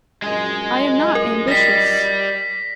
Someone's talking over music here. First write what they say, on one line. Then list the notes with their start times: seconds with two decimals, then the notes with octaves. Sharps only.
"I am not ambitious."
0.23 A#1 F#2 G#3 G#4 D#5
1.15 A#4
1.48 G3 A#6 B6